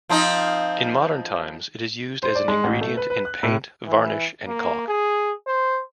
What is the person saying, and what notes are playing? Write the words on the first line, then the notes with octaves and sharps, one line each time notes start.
In modern times, it is used as an ingredient in paint, varnish, and caulk.
F3 C4 D#4
C5
D5
G#3
A1
A3
B4
B4
F#6
A2
E3
A#3
G#4
C5